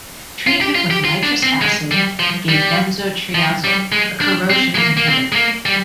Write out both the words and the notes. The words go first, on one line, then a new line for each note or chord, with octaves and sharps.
Treatment with nitrous acid give benzotriazole, a corrosion inhibitor.
F4
G4
F4
G4
F4
D4
C4
G#3
G3
F3
G3
F3
G3
G#3
D4
C4
G#3
A#3
A#3
C4
G#3
A#3
G3